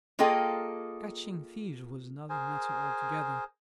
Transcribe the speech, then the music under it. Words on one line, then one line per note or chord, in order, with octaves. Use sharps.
Catching thieves was another matter altogether.
A#3 F4 G#4 A4 D#5 G5
G#4 A#4 C5 G#5